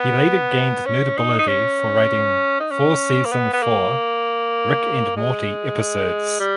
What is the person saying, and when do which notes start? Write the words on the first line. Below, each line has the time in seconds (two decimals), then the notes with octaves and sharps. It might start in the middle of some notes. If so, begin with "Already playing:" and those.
He later gained notability for writing four season four "Rick and Morty" episodes.
Already playing: B3
0.86 C#4
1.18 D#4
1.39 D#4
1.48 C#4
2.60 D#4
2.71 C#4
3.25 A#3
3.33 B3
3.53 B3
3.63 A#3
5.17 G#3
6.40 G3